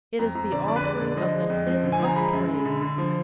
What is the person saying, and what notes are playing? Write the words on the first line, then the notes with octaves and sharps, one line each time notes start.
It is the offering of the Hymn of Praise!
F2 A#5
F2 A#5
D3 D5
F2 D5
B4
G#3 D5
D3
F3 D#5
G#3
F2
F3
D3
G#5
F3 A#5
G#3 B5
F#2
G#3
D3
D3
F3